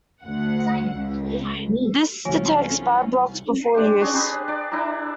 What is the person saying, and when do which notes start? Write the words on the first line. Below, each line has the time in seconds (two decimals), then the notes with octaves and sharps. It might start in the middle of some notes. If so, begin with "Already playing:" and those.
This detects bad blocks before use.
0.23 D2 F#5
0.97 C#2
2.25 C2 E3 F#3 C4 C#4 F4 G#5
3.74 D4 G4 C5
4.01 D4 F#4 G#4
4.13 D4 G4 G#4 B4
4.48 D4 D5
4.72 D4 E4 E5 A#5